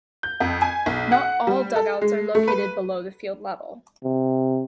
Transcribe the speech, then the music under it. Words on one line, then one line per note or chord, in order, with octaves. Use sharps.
Not all dugouts are located below the field level.
G6
F2
G#5
B1
F#5
G3
A4
G#3
A3
B4
C3